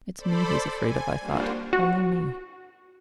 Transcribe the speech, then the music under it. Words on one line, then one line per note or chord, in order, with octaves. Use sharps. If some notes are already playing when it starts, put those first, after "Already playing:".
It's me he's afraid of, I thought, only me.
A4 C5 D5 B5
G#5
G3 A#3 D4 F4 F#4 C5
F#4